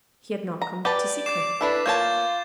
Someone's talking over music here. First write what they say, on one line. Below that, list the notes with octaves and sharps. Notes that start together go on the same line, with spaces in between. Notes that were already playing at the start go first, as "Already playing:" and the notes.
He had not come to seek her.
A#5
G4 B4 D5 A5
D6 C7 E7
D4 E4 A4 B4
A#3 F4 C#5 A5 G6 A6